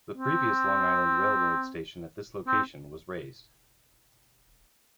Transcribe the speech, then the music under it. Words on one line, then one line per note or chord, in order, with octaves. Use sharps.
The previous Long Island Rail Road station at this location was razed.
C4
C4